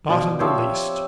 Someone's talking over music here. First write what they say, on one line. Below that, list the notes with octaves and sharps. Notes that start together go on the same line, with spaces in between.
"Not in the least."
B2 F3 D5
F3 C4 G4 C5 C#5 E5